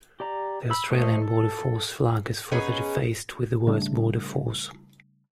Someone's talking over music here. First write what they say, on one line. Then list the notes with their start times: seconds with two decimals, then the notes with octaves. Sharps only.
The Australian Border Force Flag is further defaced with the words "border force".
0.20 G4 D5 A#5
0.70 B5 E6
0.91 A3 C5 C#5 D#5
1.22 A4
2.52 B3 C#4 D#4 G#4
3.67 C#3 G3 A3 D4